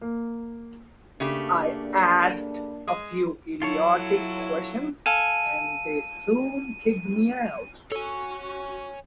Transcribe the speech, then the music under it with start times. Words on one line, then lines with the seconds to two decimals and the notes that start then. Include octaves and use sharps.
I asked a few idiotic questions, and they soon kicked me out.
0.02 A#3
1.20 C#3 A3 A#3 D4 G4
2.88 G#3
3.62 F#3 E4 F4 A4 C#5
5.06 A4 F5 G#5 D#7
7.92 F#4 A4 C#5 G#5 C#6